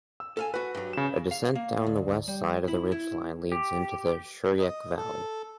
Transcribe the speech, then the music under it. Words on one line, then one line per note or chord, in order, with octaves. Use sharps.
A descent down the west side of the ridgeline leads into the Shuryek valley.
E6
A4 F5 G#5
F#4 B4 F#5
G2 F#3
C#3 E7
F5
A#3
D2
G3
E4
E4
G4
D#5
A4